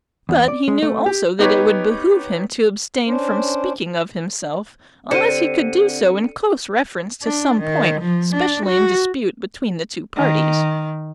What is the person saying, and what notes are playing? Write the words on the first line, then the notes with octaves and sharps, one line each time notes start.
But he knew also that it would behove him to abstain from speaking of himself unless he could do so in close reference to some point specially in dispute between the two parties.
E2
D5
G#3
A3
G4
B3 D#4 G4 B4 C#5
C#4 D4 C5
D3 C4 D4 G4 C5 C#7 D#7
D4
D#3
F3
D4
F#4
D#3